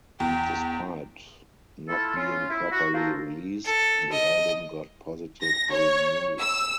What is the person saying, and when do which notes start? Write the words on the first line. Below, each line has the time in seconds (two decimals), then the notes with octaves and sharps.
Despite not being properly released, the album got positive reviews.
0.20 E2 G5
1.88 A3 E4 F4 A4
2.16 C#4 F4
2.49 E4
2.71 F#4
2.94 F4 F#4 A4 A#4 C5
3.65 A4
4.12 D#5
5.41 A#6
5.72 C#5
6.40 E6